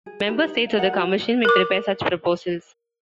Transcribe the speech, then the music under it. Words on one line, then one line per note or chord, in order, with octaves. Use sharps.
Member States or the Commission may prepare such proposals.
G#4
D#4 G4 B4
D#4
F5
G#4 A#4 F#5 A#5
F#4 C5
A#4 D6